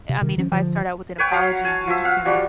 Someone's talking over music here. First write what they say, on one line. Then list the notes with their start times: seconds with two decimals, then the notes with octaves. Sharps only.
I mean, if I start out with an apology and you're just gonna
0.09 C3
0.22 C3 D#3
0.37 D#3 F3 C#4
0.52 D3 F3
1.18 B4 C#5 G5
1.31 F#3 F5
1.65 G#5 A5
1.88 F3 E5
2.04 F5 F#5
2.25 F3 G3 F#4